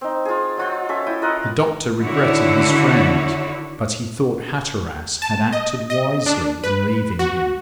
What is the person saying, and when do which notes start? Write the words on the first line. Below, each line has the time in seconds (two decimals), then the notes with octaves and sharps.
The doctor regretted his friend, but he thought Hatteras had acted wisely in leaving him.
0.01 C4 D#4
0.25 F4 G#4
0.57 F#3 F4 G5
0.89 C#4 A4 E5
1.07 E4 G5 D#6
1.22 F4 A#4 D#5 F#5
1.99 D3 D#3 D4 E4 F#4 C#5
5.22 A5
5.52 D#5
5.90 D#5
6.26 D4
6.64 B4
7.19 F#4